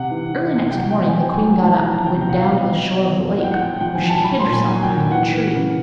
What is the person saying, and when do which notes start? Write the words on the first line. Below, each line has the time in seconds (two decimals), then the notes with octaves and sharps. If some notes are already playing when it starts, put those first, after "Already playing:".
Early next morning the queen got up and went down to the shore of the lake, where she hid herself behind a tree.
Already playing: C3 F#5
0.11 E3
0.33 E3
0.54 C3
0.71 G5
0.75 F#3 F#5
0.91 G5
0.97 B2
1.04 G#5
1.18 B2 G5
1.33 G#5
1.41 F#3
1.56 G#5
1.62 E3 A5
1.77 A#5
1.85 E3
1.92 A5
2.06 C3 G5
2.21 G5
2.29 C3 F#5
2.36 F5
2.49 B2
2.71 F#3
2.94 B2
3.16 B2
3.38 A2 F#5
3.44 G5
3.52 F#5
3.59 F3
3.80 F3 G5
3.95 G#5
4.02 F3
4.10 A5
4.24 F#3 B5
4.39 C6
4.46 A#2
4.53 G#5
4.68 F#3 G#5
4.83 G5
4.90 A#2
5.11 E3 F#5
5.33 E3
5.55 C#3